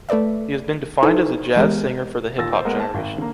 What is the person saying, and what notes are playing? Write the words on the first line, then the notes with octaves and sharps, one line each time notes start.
He has been defined as a jazz singer for the hip-hop generation.
A3 A4 B4 D5 E5
D#4 E4 A4 B4 C5
E3 G#3 B3 G4 A#4
D#2 A#2 E6 A6 A#6
C5
G#3 A#3 B3 A#4 D#5
A5
G#1
D3 A#3